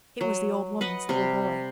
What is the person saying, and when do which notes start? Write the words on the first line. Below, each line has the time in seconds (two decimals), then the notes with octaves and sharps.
It was the old woman's little boy.
0.21 F#3
0.81 B4 D#5 F#5
1.09 C3 G3